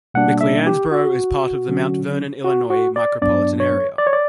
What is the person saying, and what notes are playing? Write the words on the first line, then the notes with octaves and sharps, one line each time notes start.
McLeansboro is part of the Mount Vernon, Illinois micropolitan area.
B2 G3 A#3 D4 F#5
E5
G4
F#4
D3 F#3 C#4
F#4
F#4
D5
G2 F#3 B3 D4 D5
C#5
D5
C#5
D5